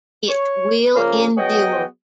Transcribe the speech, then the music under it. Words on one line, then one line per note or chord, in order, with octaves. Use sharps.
It Will Endure.
C#5
C#3 F3 A#3 C#4 A#4
F#3 B3 G#4 C#5 D#5 G5